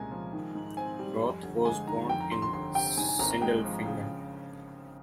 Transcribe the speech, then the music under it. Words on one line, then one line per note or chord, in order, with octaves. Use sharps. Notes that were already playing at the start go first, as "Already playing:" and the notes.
Roth was born in Sindelfingen.
Already playing: C2 A#2 C#3 G#3 G#5 A#5
F3
D#3
G#2
C4 G#5
G3
F2
G1
G#3 G#5
D#3 A#5
F2 G5
A#5
G1 C6
C6
G1 C6
C3 G5
G#2 G#5
G#5
G#1 A#5
A#5
G#3 G5
F3
C#3